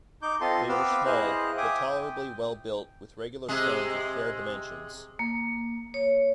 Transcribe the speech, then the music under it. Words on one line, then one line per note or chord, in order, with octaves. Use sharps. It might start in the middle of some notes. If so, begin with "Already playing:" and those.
They were small, but tolerably well-built, with regular stones of fair dimensions.
D#4 D6 G6
C4 F4 A4 D#5 A5 C6
B3 C4 B4 F5 D6 E6
E4 G#4 C5 D#5 F5 F#6
E5 G5 G#5 D6 D#6
G5
C3 G#3 G#4
A#3
C#5